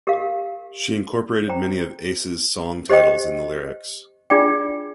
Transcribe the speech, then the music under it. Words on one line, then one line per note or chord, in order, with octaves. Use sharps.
She incorporated many of Ace's song titles in the lyrics.
G4 A#4 F5
C5 G5 A#5
G4 C5 D#5 G5
D4 F4 G#4 D5 G5